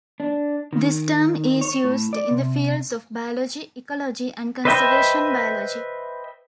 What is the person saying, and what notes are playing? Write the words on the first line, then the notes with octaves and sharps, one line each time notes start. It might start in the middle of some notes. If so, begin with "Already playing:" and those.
This term is used in the fields of biology, ecology, and conservation biology.
D4
D#3
C#5
A2
D5
C3
B4 C5 D#5 E5 G5